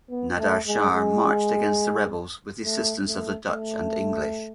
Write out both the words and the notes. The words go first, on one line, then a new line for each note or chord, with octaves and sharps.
Nader Shah marched against the rebels with the assistance of the Dutch and English.
B3
A3
G#3
G#3
A3
A3
A3